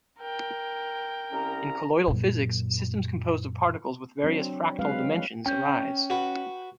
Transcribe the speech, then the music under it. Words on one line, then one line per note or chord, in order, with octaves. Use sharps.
In colloidal physics, systems composed of particles with various fractal dimensions arise.
A#4 G5
C2 C#4 A#5
F#2 A#2
F#3 C4 D4
F#3 G#3 C4 B4 F5
C#4 G5 G6
F#4 B4